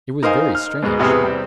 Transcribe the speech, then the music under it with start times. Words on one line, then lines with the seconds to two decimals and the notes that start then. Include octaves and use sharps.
It was very strange!
0.23 D#4 A#4 C5 D#5 F5 G#5
0.55 F6
0.82 G#2 B2 G#3
1.00 E2 C3 E3 B3 G#4 F6
1.23 G3 C4